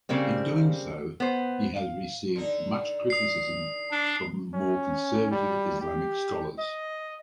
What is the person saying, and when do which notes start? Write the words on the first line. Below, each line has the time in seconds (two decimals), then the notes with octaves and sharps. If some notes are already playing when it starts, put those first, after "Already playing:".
In doing so he has received much criticism from more conservative Islamic scholars.
0.09 C#3 G3 A#3 C4
1.20 B3 C5
1.76 F5
2.35 D3 D#4
3.10 D#6 C7
3.91 D4
4.54 C#4
5.31 G3
5.81 G4
6.59 D#5